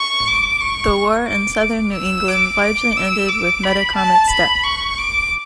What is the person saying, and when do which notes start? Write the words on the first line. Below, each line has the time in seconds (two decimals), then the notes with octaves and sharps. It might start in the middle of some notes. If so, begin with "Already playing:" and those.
The war in southern New England largely ended with Metacomet's death.
Already playing: C#6
0.27 D6
0.61 C#6
1.27 D6
1.62 D6
1.95 E6
2.28 D6
2.63 D6
2.97 E6
3.29 D6
3.64 B5
3.96 A5
4.31 B5
4.64 C#6
4.98 D6